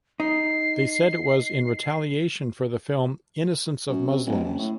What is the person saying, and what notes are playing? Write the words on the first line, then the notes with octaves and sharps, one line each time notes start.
They said it was in retaliation for the film "Innocence of Muslims".
D#4 C7
F#2
C3
D1
F#1
A2